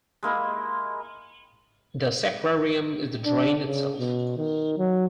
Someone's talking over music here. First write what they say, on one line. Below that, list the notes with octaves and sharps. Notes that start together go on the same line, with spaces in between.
The sacrarium is the drain itself.
G#3 A#3 E4
D4
C#3
B2
D#3
F#3